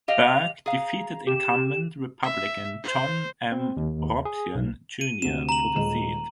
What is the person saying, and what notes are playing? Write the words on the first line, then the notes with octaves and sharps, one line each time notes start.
Burke defeated incumbent Republican John M. Robsion, Junior for the seat.
G4 D#5 F5 F7
G#4 F5 A#5
G4 E7
E5
C5
C4
D#2
G#4
B1
D#7
D2 C3 E7
A#5 F#7
D#1 G#3 E7